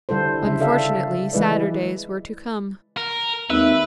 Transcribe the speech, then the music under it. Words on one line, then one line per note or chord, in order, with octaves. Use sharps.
Unfortunately sadder days were to come.
D3 G3 E4 A4 C5
C#3 G3 E5
A4 D5 E5 F5
E3 G#3 E4 B4 D5
A#4
G#1 D#2 B4 E5